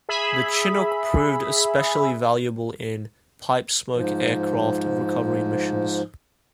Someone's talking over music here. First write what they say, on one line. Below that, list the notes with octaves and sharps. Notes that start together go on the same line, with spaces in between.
The Chinook proved especially valuable in "Pipe Smoke" aircraft recovery missions.
G#4 E5 B5
G#2 F3